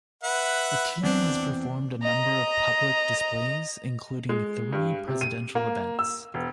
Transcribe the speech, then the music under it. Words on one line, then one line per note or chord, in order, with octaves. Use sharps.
The team has performed a number of public displays including three presidential events.
B4 E5 F#5
E2 C4 D4
D#5 A#5
G#3
G2
C3
D#7
A#3
E6
E1